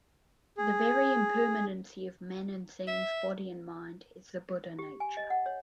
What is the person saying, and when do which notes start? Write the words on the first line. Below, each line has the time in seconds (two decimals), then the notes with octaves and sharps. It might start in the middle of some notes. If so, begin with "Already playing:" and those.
The very impermanency of men and things, body and mind, is the Buddha nature.
0.57 G#4
2.88 E5
4.79 G4
5.00 G#5
5.17 D#5
5.30 F#5
5.46 C#5